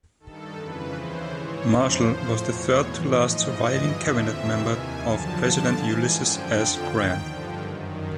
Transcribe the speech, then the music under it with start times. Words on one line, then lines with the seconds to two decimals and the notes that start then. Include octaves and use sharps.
Marshall was the third to last surviving cabinet member of President Ulysses S. Grant.
0.20 G2 D#3 A4
0.56 F2 C#3 E3 B4
0.93 D#2 C#3 E3 C5
1.30 G#2 E3 C#5
1.67 E2 C#3 F3 C5
2.04 A2 F3
2.41 E2 B2 C#5
2.78 A2 E3
3.15 G#2 F3 D#5
3.52 G2 E3
3.88 D#2 D3 F3 E5
4.26 F2 C3 E3
4.63 D#2 D#3 G#5
5.00 F#2 D3 F3 A5
5.37 G2 D3 F3
5.73 G#2 E3 G#5
6.10 F#2 D3 F3 G5
6.48 F2 D3 F3
6.85 D#2 D#3
7.22 G2 D3 F3
7.58 F#2 D#3